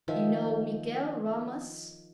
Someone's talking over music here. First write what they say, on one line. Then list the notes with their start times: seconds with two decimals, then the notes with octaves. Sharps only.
You know Miguel Ramas?
0.08 D#3 F3 E5